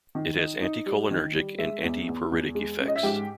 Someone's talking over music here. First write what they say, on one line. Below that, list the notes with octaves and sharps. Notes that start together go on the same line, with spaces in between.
It has anticholinergic and antipruritic effects.
D#3
D#4
D#4
G3
D#3
G3
G#3 E5
E2
E2
E2
G#3
C#4
D#5
E5
G#2 G4 G5